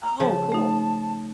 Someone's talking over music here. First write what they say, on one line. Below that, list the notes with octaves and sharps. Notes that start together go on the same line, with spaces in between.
Oh, cool.
A#5
C#3 F3 A5
A3 D#4